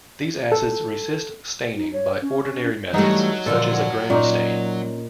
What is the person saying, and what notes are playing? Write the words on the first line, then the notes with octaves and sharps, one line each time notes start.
These acids resist staining by ordinary methods such as a Gram stain.
A4
D#4
C#5
C#4
E3 F#3 G3 A3 D#4
A#2 D3 F3 A4
A#2 C#4 D#4